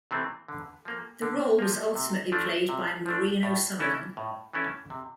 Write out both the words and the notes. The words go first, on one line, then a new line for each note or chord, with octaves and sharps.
The role was ultimately played by Maureen O'Sullivan.
C3 E3 A3 C4
D3
F3 A#3
D3
F3 A#3
C3
F3 A3 D4
C3
F3 A3 D4
A2
E3 A3 C#4 E4
A2
E3 A3 C#4 E4
C3